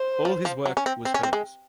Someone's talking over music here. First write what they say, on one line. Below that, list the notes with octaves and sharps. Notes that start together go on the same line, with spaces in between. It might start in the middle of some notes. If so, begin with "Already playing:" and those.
All his work was hers.
Already playing: C5
F3
F3
F#3
C#4
C4
C4
C#4
C4
G#3